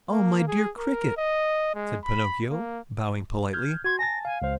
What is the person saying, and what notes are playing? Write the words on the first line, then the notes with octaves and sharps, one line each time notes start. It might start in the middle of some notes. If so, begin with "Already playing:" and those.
"Oh, my dear Cricket," said Pinocchio, bowing politely.
A#3
G#4
A#4
D#5
G#3
B5
A#3
F6 G6 G#6
F#4 C6 G#6
G#5 A5 A6 A#6
F5 G#5
C#2 C5 F5